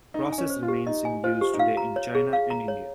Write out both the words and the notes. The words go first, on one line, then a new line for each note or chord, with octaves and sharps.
The process remains in use today in China and India.
D#4 D#5
G#5
C#4
C5
F4
G4
D#4 D#5
G#5
F4 C5
G4
D#4
F4 F5
A#5
C#5
G#4
F5
A#5
C#5